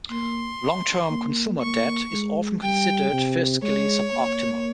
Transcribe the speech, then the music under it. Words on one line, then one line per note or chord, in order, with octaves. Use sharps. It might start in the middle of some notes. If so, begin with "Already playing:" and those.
Long-term consumer debt is often considered fiscally suboptimal.
A#3 C6
A#3
A#3 C#6
G#3
G3 G5
C3
G#3 C#5
A#3